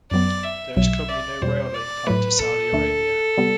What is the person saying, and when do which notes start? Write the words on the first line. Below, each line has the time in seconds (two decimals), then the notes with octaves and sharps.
There is currently no rail link planned to Saudi Arabia.
0.11 F#2 F#3 B3 D5
0.44 E5
0.77 B1 B2 F#3 E5
1.09 D5
1.42 E2 B2 G3 C5
1.74 D5
2.07 A2 F#3 A3 B4
2.39 A4
2.72 D2 D3 A3 D4
3.38 C3 G3 B3